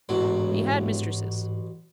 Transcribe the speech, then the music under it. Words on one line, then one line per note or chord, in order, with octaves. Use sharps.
He had mistresses.
E1 A1 G#2 F#3